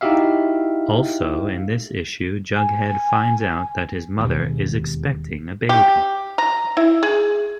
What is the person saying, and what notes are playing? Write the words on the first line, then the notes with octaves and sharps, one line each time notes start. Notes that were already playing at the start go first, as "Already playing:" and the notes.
Also, in this issue Jughead finds out that his mother is expecting a baby.
D#4 E4 F#4 G4 E5 F5
G#5
E1 D#2
G4
A#5
E4
G#4